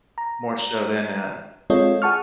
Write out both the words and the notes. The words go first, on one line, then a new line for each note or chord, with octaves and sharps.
more so than, uh,
A#5
G#3 C4 F4 A4 C#5 D#5
G#4 F#5 A5 C#6 F6